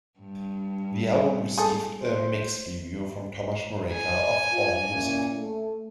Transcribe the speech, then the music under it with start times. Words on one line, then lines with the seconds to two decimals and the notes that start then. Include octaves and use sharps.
The album received a mixed review from Tomas Mureika of "Allmusic".
0.19 G2
1.58 G#4 A4
2.00 C5
3.92 G#5
4.51 F4
4.92 A#2 C#4 E4
5.35 A3